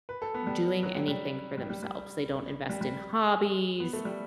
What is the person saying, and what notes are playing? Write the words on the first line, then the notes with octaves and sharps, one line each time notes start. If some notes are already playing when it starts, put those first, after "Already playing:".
doing anything for themselves. They don't invest in hobbies.
B4
A4
B3
G3
F#3
G3
G3
G3
G3
G3
G3
G3
B3
A3
G3